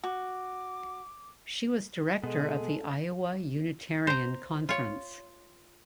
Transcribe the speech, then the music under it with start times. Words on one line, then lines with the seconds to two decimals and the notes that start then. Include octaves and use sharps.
She was director of the Iowa Unitarian Conference.
0.04 F#4 D6
2.24 B2 G#3 A4
4.07 C5 A#5
4.69 F4 C#5